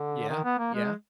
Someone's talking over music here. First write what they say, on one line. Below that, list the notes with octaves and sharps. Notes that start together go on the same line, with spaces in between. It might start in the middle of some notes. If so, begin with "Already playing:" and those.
Yeah, yeah.
Already playing: D3
D#3
B3
A#3
G#3